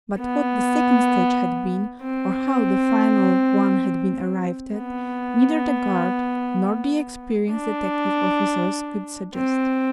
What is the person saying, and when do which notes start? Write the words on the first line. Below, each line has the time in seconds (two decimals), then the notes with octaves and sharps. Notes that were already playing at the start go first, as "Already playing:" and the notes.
But what the second stage had been, or how the final one had been arrived at, neither the guard nor the experienced detective officers could suggest.
0.19 B3
2.02 C4
4.77 B3
7.51 D4
9.35 C4